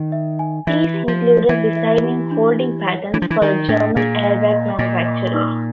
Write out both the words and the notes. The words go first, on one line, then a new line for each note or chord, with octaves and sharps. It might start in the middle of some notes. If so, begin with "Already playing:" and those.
These included designing folding patterns for a German airbag manufacturer.
Already playing: D#3
E5
G#5
E3 E5
G4
F3
C5
E3 E5
E5
G4
D4
G4
C#5
E3 D4
F3
E3
D#3 A#4
A2 D4
A#2 G#4
D#5
D#5
A#2 D#5
D#5
D#4